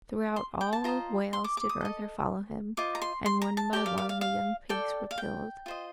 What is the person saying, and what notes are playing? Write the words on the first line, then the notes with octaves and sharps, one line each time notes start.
Throughout all Wales did Arthur follow him, and one by one the young pigs were killed.
C6
G5
A5
F4 C5 D#5 A#5
C6
D6
D6
D#6
A4 D#5
F4 C5 D#5 D6
A#5
C6
C6
A#5
A5
G4 A#4 D5 G5
F5
F5
F5
F5
A4 D5 G5
F5
G5
F4 C5 D#5